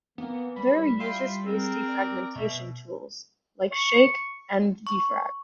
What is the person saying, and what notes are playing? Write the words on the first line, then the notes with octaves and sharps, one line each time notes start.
There are userspace defragmentation tools, like Shake and defrag.
E3 A#3 B3
G3 B5
E4 F4 G5 B5 C6
C4 G#4 A#4
D5
B2 E5
C#6
C#6